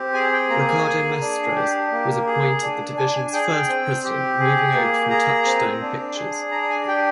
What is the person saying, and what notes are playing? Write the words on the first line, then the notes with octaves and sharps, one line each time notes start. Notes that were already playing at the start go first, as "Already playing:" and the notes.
Ricardo Mestres was appointed the division's first president moving over from Touchstone Pictures.
Already playing: C4 G4
G#4 G#5
G5
A#3 A#5
G#5
G#4
D4
G4
A#3
G#4
D4
D4 G#5
G#5
G#4 G5
G5
C4
G4
G#4
A#3
G#4 A#5
C4
D4
G#4
D4 A#5
G#5
G4 G5